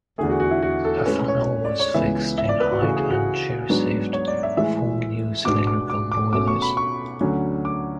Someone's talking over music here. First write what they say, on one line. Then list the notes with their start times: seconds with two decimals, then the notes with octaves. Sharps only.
Her funnel was fixed in height and she received four new cylindrical boilers.
0.18 E2 D3 A3 G#4
0.29 F#4
0.40 F#4
0.51 E4
0.63 F#4
0.85 A4
1.06 A2 G#3 C#4 B4
1.28 C#5
1.65 D5
1.79 C#5
1.94 C#2 C#3 E3 B3 E5
2.38 E5
2.49 D5
2.60 B4
2.71 F#4
2.82 C#3 E3 A3 F#4
2.96 G#4
3.11 F#4
3.69 G#2 F#3 B3 D4
4.13 C#5
4.28 D5
4.43 E5
4.57 A2 E3 G#3 E5
5.45 B2 G#3 B3 D4 D6
5.67 D6
5.90 D6
6.12 D6
6.33 B2 A3 C#4 D6
6.47 C#6
6.62 B5
6.77 C#6
7.21 D2 D3 F#3 C#4
7.65 D6